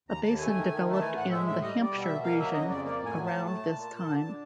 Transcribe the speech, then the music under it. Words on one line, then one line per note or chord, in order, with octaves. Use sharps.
A basin developed in the Hampshire region around this time.
D#2 A#5
D#2 A5
A3 G#5
D#3
D#3
A3
A5
E3 G#5
A2 F#5
G#3 E5
A2 E5
G3 D#5
G3 D5
B2
E5
B2
A#3 F5
F#3 E5
C#3 D#5
F2 D5
A#3 D5
A2
G#5
F#3
A2 A5
A3 A5
A#2
A#2
A#2
D3
D3